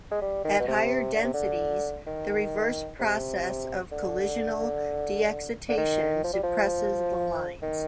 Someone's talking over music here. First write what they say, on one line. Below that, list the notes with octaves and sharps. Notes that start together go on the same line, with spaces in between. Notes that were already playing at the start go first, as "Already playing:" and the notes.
At higher densities, the reverse process of collisional de-excitation suppresses the lines.
G#3
G3
D#3
B2
C3
D3
C3
D3
D#3
C3
D3
D3
D#3
F3
G3
F3
D#3